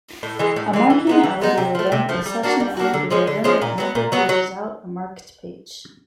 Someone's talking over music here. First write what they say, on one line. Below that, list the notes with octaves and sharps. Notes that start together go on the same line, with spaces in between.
A marking algorithm is such an algorithm that never pages out a marked page.
A2
E3 G#3
A2
E3 G#3
E3
G#3 B3 D#4
E3
G#3 B3 D#4
C3
F3 A3
C3
F3 A3
G3
A#3 D4 F#4
G3
A#3 D4 F#4
D3
F3 G#3 C#4
D3
F3 G#3 C#4
A#2
F#3 B3
A#2
F#3 B3
F#3